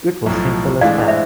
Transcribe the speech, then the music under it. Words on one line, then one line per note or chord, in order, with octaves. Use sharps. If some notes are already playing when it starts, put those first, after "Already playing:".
It was simple as that.
B1 A2 F3
A2 E3 G#3 D4 D5 F5
C5 E5